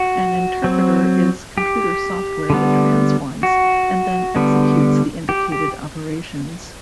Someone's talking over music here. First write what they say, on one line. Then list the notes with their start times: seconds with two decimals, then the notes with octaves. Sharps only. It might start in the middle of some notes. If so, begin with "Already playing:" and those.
An interpreter is computer software that transforms and then executes the indicated operations.
Already playing: F#4
0.64 F#3 C4
1.58 G4
2.50 D3 G3 B3
3.43 F#4
4.36 D3 G3 B3
5.29 G4
5.52 G4